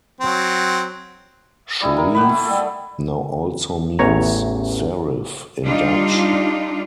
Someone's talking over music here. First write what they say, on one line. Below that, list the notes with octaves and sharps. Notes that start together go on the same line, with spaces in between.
"Schreef" now also means "serif" in Dutch.
F#3 C4
G3 E4 D#5
A#4
G4 F#5 B5
A3
G3 A3 A4
A1 E2 C#5 A#5
G3 D4 D#4 F4